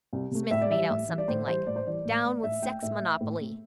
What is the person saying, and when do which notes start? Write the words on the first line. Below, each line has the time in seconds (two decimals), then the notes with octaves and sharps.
Smith made out something like "Down with sex monopoly!"
0.13 C2
0.31 C3 A3
0.51 A2 E5
0.62 D5
0.70 E3 G3 E5
0.90 A2
1.08 E3 G3
1.18 D5
1.28 A2 C5
1.47 E3 G3 C5
1.67 A2 D5
1.76 C5
1.85 E3 G3 D5
2.05 A2
2.25 A3
2.44 A2 E5
2.62 A3 G5
2.83 A2 E5
3.01 A3
3.21 A2
3.40 A3